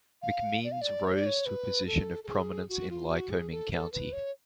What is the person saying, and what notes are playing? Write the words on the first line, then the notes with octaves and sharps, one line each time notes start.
McMeens rose to a position of prominence in Lycoming County.
F5
D5
F5
D5
C#5
D5
C#5
B4
A4
A4
G#4
F#4
F4
F#4
G#4
A4
A4
B4
C#5